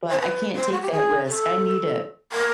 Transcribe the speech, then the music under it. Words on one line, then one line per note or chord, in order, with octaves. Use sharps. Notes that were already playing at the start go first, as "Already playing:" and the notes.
but I can't take that risk, I need it.
C5
B4
C5
F#4
G4
G#4
A4
A#4